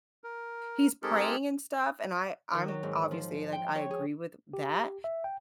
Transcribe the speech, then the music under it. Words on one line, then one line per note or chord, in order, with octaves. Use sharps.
he's praying and stuff, and I I'm obviously, like, I agree with that,
A#4
G#3 C4 D#4 G4 A4 A#4
D#3
F#3
G#2
F3
G5
C#5
G#4
G4
E5
G5